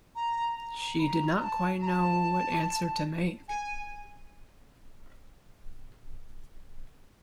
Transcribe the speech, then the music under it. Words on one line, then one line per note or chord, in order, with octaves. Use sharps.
She did not quite know what answer to make..
A#5
A#5
B5
A#5
A#5
A5
A#5
A5
G#5